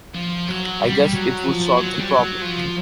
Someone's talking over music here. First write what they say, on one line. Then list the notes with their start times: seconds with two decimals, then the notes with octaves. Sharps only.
I guess it would solve our problem.
0.14 F3
0.48 F#3
0.80 G3
1.02 G3
1.13 F#3
1.44 F3
1.77 F#3
1.99 G3
2.09 F#3
2.42 F3